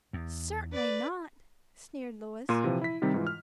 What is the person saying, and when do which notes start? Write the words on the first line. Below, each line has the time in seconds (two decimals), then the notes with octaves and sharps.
"Certainly not," sneered Louis.
0.13 E2
0.72 B4 D5
2.49 A#2 A#3 A#4 C6 D#7
2.64 C3 E3 F3
2.81 E4 B6
3.02 C3 D#3 G3 C4
3.14 G#2 E3 F4
3.27 F6